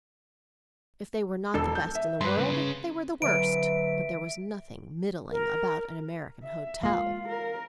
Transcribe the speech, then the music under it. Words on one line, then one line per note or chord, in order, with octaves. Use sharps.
If they were not the best in the world they were the worst, but there was nothing middling about an American hotel.
E1 A4 E6
G6
E5
G2 B4 C6
G2 C#3
C#3
D2 F#3 B4 E5 D7
A#4
E5
G#3 A#3 F4 F5
A#4